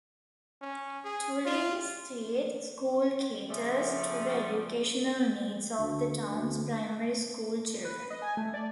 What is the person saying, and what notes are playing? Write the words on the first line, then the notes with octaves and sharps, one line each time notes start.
Tully State School caters to the educational needs of the town's primary school children.
C#4
G#4
F4
F2 C#3 F3 A3 C#4 D5
D2
D2
B4
D#5
G#5
A3
D5